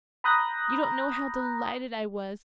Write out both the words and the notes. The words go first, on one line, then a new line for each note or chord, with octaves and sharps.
You don't know how delighted I was.
A#5 B5 D#6 F#6 G6 A#6